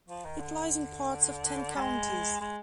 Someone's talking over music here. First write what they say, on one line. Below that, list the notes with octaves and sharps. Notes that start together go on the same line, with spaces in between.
It lies in parts of ten counties.
F3
D#3
D3
G3
G#3
G#3